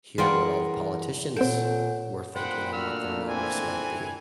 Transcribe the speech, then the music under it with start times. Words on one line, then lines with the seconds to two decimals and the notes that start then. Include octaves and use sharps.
hear what all the politicians were thinking and what their motives might be,
0.18 E3 G3 F4 G#4 A#4 F#5 G5
1.37 A#2 C4 A4 C#5 F#5 G6 D7
2.36 A#2 C5 F#5 G5 B5
2.73 A3 D4 F#4 E6 F6
3.29 E3 C4 G#5